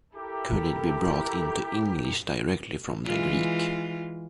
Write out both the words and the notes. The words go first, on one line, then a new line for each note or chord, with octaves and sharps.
Could it be brought into English directly from the Greek?
E4 G4 A4 A#4
E3 G#3 F4